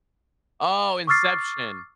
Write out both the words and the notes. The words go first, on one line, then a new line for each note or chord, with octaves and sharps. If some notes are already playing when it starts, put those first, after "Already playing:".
Oh, Inception.
C#6 D6 E6 F6 A6 C7